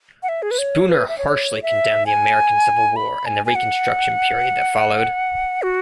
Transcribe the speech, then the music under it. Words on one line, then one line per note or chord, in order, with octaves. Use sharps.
Spooner harshly condemned the American Civil War and the Reconstruction period that followed.
F#5
E5
G#4
B4
C#5
B4
E5
C#5
E5
G#5
B5
G#5
G#5
F#5
F#4